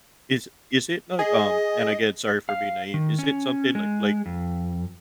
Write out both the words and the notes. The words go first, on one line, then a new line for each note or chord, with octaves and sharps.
is is it like, um and again, sorry for being naive, is it something like like
G#4 D#5
F5
D#3
C#4
G#3
F2